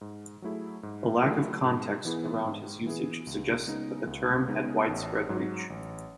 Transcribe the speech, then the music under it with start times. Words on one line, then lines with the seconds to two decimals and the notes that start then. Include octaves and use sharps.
The lack of context around his usage suggests that the term had widespread reach.
0.01 G#2
0.42 F#3 A3 E4 G#4
0.83 G#2
1.23 F#3 A3 E4 G#4
1.64 G#2
2.05 E3 B3 E4 G#4
2.45 G#2
2.86 E3 B3 E4 G#4
3.27 C#2
3.67 C#3 G#3 B3 D#4
4.07 C#2
4.48 C#3 G#3 B3 D#4
4.89 A1
5.29 G#2 F#3
5.70 A1